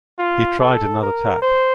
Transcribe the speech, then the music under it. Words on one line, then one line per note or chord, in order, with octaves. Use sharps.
He tried another tack.
F4
A4
A#4
C5